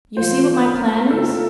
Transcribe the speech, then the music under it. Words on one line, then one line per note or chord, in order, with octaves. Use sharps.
You see what my plan is?
E3 A#3 F4 C5
A#4
D3 A3 C4 F4 A4
A#4